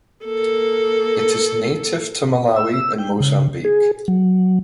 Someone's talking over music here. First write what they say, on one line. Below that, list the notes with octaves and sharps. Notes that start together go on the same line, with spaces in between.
It is native to Malawi and Mozambique.
A#3 A4
E6
G5
C#3
G#4
F#3